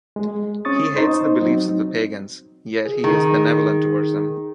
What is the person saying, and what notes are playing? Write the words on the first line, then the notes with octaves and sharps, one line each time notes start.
He hates the beliefs of the pagans, yet he is benevolent towards them.
G#3
C4 C#4 C#6 D#6 A6
D#4 C5
F#3 C4 D#4
G#4
D#3